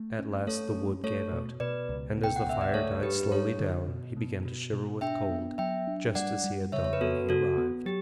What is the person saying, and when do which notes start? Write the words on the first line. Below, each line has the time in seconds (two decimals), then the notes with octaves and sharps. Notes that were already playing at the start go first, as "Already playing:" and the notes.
At last the wood gave out, and as the fire died slowly down he began to shiver with cold just as he had done when he arrived.
Already playing: A3
0.19 C#4
0.47 A3 A4 C#5
0.75 C#4
1.03 A3 A4 C#5
1.32 B2
1.60 B2 B4 D5
1.89 C#2
2.18 B2
2.24 G5
2.36 F#5
2.46 C#2 E5
2.61 D5
2.74 A3 A4 C#5
3.03 G2 G4 B4
3.31 G2 A4 C#5
3.59 D3
3.88 B2
4.17 B2
4.45 B2
4.73 B2
5.01 D4 E5 G5
5.30 B3
5.58 F#3 E5 G5
5.87 D4
6.15 G3 D5 F#5
6.44 G3
6.72 C#3 C#5 E5
6.84 C#5
6.93 B4
7.01 B3 F#4 A4
7.29 C#3 F#4 A4
7.58 B3
7.86 F#3 G4